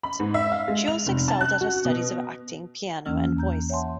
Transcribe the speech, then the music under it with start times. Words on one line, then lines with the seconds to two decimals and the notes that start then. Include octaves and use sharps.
She also excelled at her studies of acting, piano and voice.
0.03 B5
0.20 G#2
0.34 E5
0.52 F5
0.68 G#3
0.88 F7
1.06 F1
1.28 A5
1.41 F#6
1.61 F#4
1.85 B2
3.06 E2 E3 A#3 C#4 E6 F6
3.37 E2 A#5 G6
3.70 C#5 E5 F#5 G#5 A5 C6